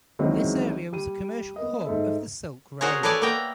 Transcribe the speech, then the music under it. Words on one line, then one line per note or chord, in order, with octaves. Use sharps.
This area was a commercial hub of the Silk Road.
C#2 D#3 E3 F#3 G#3 C4
G3 D#7
B3 A#4 D#5
G#2 A4 E5
C#4 F#4 G#4 A#4 C5 C#5
A4 B4 C#5 D5 G#5 A5
A#3 B3 E5 G5 A#5